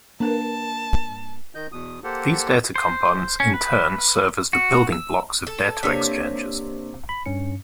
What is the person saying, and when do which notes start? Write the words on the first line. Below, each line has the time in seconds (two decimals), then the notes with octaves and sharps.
These data components in turn serve as the "building blocks" of data exchanges.
0.20 A#3 D4 A#4 B4 A5
1.55 D#3 D#5 G6
1.72 E2 B2 D#6
2.04 A#3 G4 A4 C5 F#5
2.76 C5
3.40 C#4
3.54 B4
4.53 F#4
4.92 E6
5.47 A4
5.83 C3 A#3 D4 C#5 B6
7.09 B5
7.26 G2 C#4 C#7